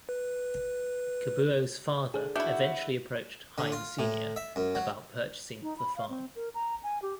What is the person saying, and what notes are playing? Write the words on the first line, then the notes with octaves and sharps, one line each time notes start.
Kabuo's father eventually approached Heine Senior about purchasing of the farm.
B4
D3 G#4
D4 E4 F#4 E5 F#5 G6
D3
F4
A2
E5
F#2
F#3
D#4
B5
F5
C4
A#4
A#5
G#5
G4